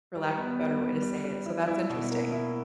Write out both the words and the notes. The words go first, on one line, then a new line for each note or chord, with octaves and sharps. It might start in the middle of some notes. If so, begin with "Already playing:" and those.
for lack of a better way to say it, so that's interesting.
G3
B3
G3
G3
G3
G3
E4
E4
B2
A#3
E4